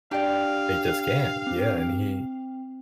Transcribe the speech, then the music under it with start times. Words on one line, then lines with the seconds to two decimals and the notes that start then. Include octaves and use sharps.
It just can't, yeah, and he
0.11 D4 G4 D5 F5 G5
1.47 C4